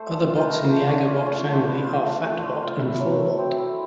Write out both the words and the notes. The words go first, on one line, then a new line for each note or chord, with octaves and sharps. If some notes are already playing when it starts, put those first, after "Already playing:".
Other bots in the Agobot family are Phatbot and Forbot.
Already playing: A3 C5
D4 A4
F4 C5
B4
A3 A#4
A3 C5
D4 C#5
F4 D5
A3 C#5
A3
C5
D4 B4
C5
F4
A3
A3
D4
F4
E4
F#3
A3
C4
E4